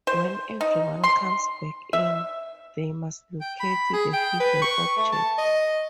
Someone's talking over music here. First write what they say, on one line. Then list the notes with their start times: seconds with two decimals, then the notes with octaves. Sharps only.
When everyone comes back in, they must locate the hidden object.
0.07 C5
0.61 D#4
1.04 C6
1.93 E5
3.41 G5
3.60 B5
3.93 G#4
4.13 G5
4.40 B4
4.62 C#6
4.97 A3
5.12 A5
5.38 D#5